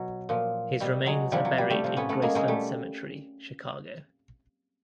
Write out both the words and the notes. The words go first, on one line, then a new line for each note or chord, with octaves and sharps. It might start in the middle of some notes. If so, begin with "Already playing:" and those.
His remains are buried in Graceland Cemetery, Chicago.
Already playing: B2 F#3
A#2 F3
B2 G3
F#3 G#3
C3 F3 G3
F#3
G3
G3 A3
C3 F3
B3 C#4
A3 B3
G#3 A#3
B2 F#3 G#3
G3 A3